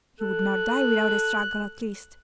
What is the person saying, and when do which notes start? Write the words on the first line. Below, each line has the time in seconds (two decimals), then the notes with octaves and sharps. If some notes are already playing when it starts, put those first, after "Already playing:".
He would not die without a struggle at least.
0.21 A4 F#6